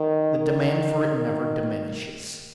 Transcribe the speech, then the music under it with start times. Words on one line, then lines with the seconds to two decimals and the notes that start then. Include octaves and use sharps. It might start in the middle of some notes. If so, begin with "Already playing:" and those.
The demand for it never diminishes.
Already playing: D#3
0.39 D#3
1.15 D#3